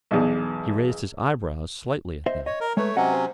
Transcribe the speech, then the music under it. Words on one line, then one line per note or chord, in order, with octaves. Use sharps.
He raised his eyebrows slightly at that.
B1 E2
C5 D#5 E5
C#5 D#5
A#4
G#3 A3 B4 C#5
C3 F#3 C#4 D#5 F#5
C5